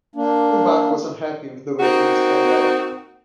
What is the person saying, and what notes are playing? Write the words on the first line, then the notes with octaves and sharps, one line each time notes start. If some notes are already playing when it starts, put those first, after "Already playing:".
Krumbach was unhappy with the way things turned out.
A#3 D4
A#3 C4 D#4 F#4